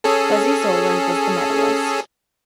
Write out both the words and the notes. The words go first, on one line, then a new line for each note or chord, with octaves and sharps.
Fuzzy Zoeller was the medalist.
C#4 G#4 A4